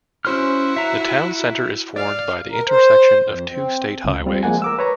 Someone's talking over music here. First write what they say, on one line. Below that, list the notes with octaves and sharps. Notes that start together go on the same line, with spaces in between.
The town center is formed by the intersection of two state highways.
C#4 E4 F#4 C5 F6
E5 A#5
D5 F5
A#4
C5
F2
C4
C#2
G3 C4 F4
F3 G#3 A#3 F#5 G#5
A#4 D6 E6
B4 C#5 A#5